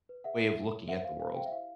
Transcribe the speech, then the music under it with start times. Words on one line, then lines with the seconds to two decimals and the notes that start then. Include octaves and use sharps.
way of looking at the world
0.09 B4
0.24 G#4 E5 F#5
0.40 E4
0.57 E4
0.73 C#5
0.88 C5 E5 F#5
1.04 C5 F5
1.20 C5 F5
1.36 G4 F5 G5
1.46 E5
1.51 E4 F5